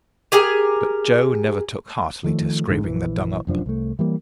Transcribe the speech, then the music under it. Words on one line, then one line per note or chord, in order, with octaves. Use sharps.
But Joe never took heartily to scraping the dung up.
G4 G#4 A#4 G#5
D#3 F3 A3
A1 G#2 D3
A#1 E3
F1 F#2 F3 D4
C2 A3
E3 G3 A#3